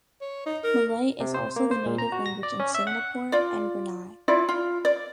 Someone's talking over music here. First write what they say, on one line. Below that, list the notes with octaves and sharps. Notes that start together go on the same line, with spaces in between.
Malay is also the native language in Singapore and Brunei.
C#5
D#4
A#4
C3
C5
A#3
C5
A#2
A#5
F#4
A#6
D5
C#4
E5
F#5
F4 D5
E4 F4 D5
F4
D5